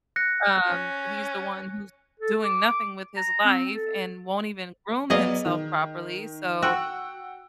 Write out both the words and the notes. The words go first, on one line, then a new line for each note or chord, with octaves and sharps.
um, he's the one who's doing nothing with his life and won't even groom himself properly, so,
F#6 A#6 C#7
C#4
A4
D6
A#5
C4
A4
F#3 B3 G#4 D5 D#5 F5
D#3
F#4 F#5 G5 E6